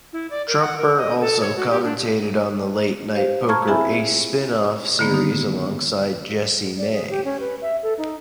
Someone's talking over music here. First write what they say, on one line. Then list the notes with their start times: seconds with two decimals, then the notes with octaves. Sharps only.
Trumper also commentated on the Late Night Poker Ace spin-off series alongside Jesse May.
0.13 E4
0.31 D5
0.48 A#4
0.61 F#5
0.78 A#4
0.97 D#5
1.21 A4
1.41 C#5
1.56 F#4
1.70 G4
1.84 D4
3.15 G4 C5 F5
3.48 A5 A#5 C#6 F6 G#6
3.67 C4 E4 G#4 E5 G#5 B5
4.99 D3 D#3 A#3 B3
5.14 D#4
6.78 D5
6.92 G#4
7.10 G4
7.25 C#4
7.40 B4
7.62 E5
7.83 A4
7.98 D#4